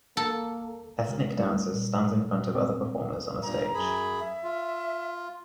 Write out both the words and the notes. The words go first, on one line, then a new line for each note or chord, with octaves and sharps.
Ethnic dancer stands in front of other performers on a stage.
A#3 A4
C3 G#3 A#4
G3 A3 E4
A#2
C4
G2 A#2 A#5
F#2 G#4 B5
E5
F4